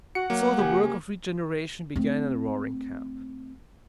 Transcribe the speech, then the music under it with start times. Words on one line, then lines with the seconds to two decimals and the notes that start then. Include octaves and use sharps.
And so the work of regeneration began in Roaring Camp.
0.15 F#4 F#5 C#7
0.30 F#3 A#3
0.59 C#3 G4 G#5
1.96 A3 C4